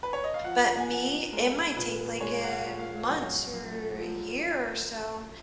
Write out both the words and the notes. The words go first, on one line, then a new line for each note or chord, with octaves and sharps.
But me, it might take, like, a months or a year or so,
B4
C#5
D#5
F5
F3 F#5
A#5
G#5
F3 F#5
G#3 A#4
A#2 B4
G#3 C#5
F#5
F5
F3
F5
F#2 F#5
F#2
F3